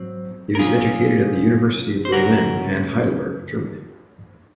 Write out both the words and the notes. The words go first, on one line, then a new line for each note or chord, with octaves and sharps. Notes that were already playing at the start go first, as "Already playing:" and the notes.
He was educated at the University of Berlin and Heidelberg, Germany.
Already playing: G#2 F#3 C4
A#4
C3 F#3 C#4 F4 G#4
C5
F#2 C#3 G#3 C#4 F#4 A#4